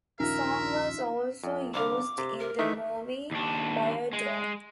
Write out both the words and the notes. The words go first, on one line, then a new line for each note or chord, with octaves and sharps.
The song was also used in the movie "Bio-Dome".
A#1 D#2 C#4 D#4 F4 A#4 E5
F2
C2 D3 F5 D6
C3
A#4
D#3 E3 A3 E5
D#2 D4
G#3